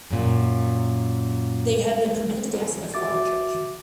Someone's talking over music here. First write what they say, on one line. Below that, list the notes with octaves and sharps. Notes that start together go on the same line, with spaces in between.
They had been permitted to dance in their former Church.
F#2 A#2
F#4 E5 D6 A6